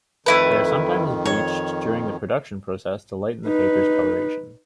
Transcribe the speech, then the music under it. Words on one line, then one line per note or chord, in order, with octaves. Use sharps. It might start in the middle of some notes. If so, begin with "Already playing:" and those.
They are sometimes bleached during the production process to lighten the paper's coloration.
F2 D#3 A3 E4 B4
C#5
D#4 B4